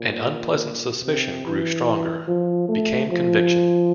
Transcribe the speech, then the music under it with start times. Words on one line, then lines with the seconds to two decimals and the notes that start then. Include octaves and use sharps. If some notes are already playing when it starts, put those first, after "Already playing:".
An unpleasant suspicion grew stronger; became conviction.
Already playing: A#2
1.04 C3
1.45 E3
2.28 F3
2.68 A3
3.11 F3